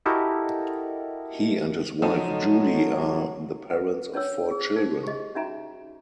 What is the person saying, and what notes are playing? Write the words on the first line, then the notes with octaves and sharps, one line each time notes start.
He and his wife Judy are the parents of four children.
E4 F#4 G4 A4 A#4 D#5
F3 F#3 A3 D#4
B4 F#5
C#4 D4 C#5 E6
G#4
D#4 C5
G4 G#4 D#5
C#4 D#4 F#4 E5 G#5 A#5